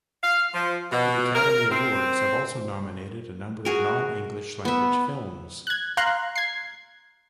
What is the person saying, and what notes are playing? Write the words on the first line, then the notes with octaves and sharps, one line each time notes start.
The Academy Awards have also nominated a number of non-English-language films.
F5
F3
B2
A#4
C4
F#4 G#4 A#4
B3 E5
F#6 G#6
F5 A#5 C6 F#6
G#6 C7